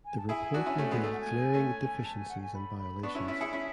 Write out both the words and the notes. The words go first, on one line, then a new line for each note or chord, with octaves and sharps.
The report revealed glaring deficiencies and violations.
G#5
A5
E4 G#4 G#5
D4 F#4
C#4 E4
A3 C#4
G#3 B3
A3 G#5
F#5
G#5
A3 C#4
A5
G#5
F#5
G#5
B5
B5
B3 D4 C#6
C#4 E4 C#6
C#4 E4 B6
E4 G#4 C#7
C#4 E4 B6